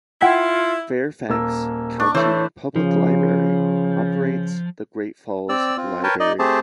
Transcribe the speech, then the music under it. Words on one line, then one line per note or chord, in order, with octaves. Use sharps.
Fairfax County Public Library operates the Great Falls Library.
E4 F4 F#5 G5 B6
D#1 A#3 E6
D4 C#6
E3 A3 C5 C#5
C#3 F3
C4 D5 E6
C4 F4
A#4 B4 C#5 G5 A5
D#4 D5 D#5
A3 C4 G4 G#4 C5 A5